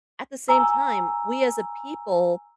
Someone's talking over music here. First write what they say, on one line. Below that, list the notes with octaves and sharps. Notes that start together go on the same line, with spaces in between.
at the same time, we as a people
G#5 A#5 E6